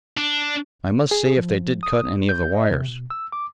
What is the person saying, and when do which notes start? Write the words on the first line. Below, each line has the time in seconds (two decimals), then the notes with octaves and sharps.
"I must see if they did cut any of the wires."
0.18 D4
1.11 G#4
1.37 F3
1.83 D#6
2.29 G6
2.55 D#5
2.71 C3
2.88 B2
3.10 E6
3.32 D6